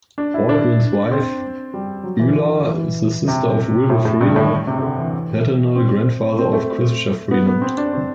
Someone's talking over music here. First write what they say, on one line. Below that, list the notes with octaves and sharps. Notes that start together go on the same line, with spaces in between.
Baldwin's wife Beulah is the sister of Wilbur Freeland, paternal grandfather of Chrystia Freeland.
D4
E4
D4
C4
G3
F#3
E3
D3
E3
C3
A2
A2
G2
A2
C3
C3
D3
E3
C4
C4
A3
B3
B3
C4
D4
C4